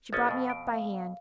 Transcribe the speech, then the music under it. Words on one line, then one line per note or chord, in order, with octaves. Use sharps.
She brought me up by hand.
A1 C#4 D#6 A6
F2 B2
D7
F5